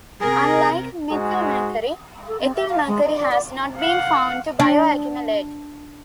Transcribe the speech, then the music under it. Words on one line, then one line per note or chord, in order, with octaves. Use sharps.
Unlike methylmercury, ethylmercury has not been found to bioaccumulate.
C3 G#4 A#4
G#2 G#3 F#4 G#4
A4
C4
E5
F5
G#3
D#5
D5
D5
F5 F#5
D4